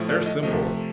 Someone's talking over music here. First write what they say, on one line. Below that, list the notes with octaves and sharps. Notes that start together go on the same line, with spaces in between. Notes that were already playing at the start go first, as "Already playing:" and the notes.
They're simple.
Already playing: A2 F3 A3
D5
D#5
C3 F3 A3 D#5